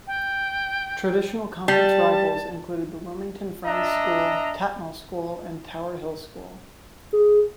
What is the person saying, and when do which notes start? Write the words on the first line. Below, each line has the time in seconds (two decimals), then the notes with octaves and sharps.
Traditional conference rivals include the Wilmington Friends School, Tatnall School, and Tower Hill School.
0.07 G5
1.68 G3 A5
3.65 D4 D#5 E5 A#5
7.13 G#4